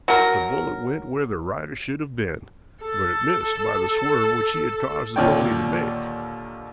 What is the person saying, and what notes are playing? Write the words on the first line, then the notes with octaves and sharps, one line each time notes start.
The bullet went where the rider should have been, but it missed by the swerve which he had caused the pony to make.
F#3 A#4
A4 A5
D#2 A#2 D3 C#5 D5 G5